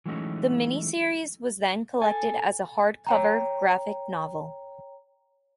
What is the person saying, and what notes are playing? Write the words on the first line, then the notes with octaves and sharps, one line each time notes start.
The miniseries was then collected as a hardcover graphic novel.
E3 F#3 G#3 A3 C#4 D#4
A4 G#5
C#5 G5 A#5